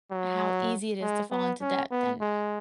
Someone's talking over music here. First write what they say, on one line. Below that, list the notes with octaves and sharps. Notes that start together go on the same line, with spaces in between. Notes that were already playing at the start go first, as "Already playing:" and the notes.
how easy it is to fall into debt, and
F#3
G#3
B3
C#4
B3
G#3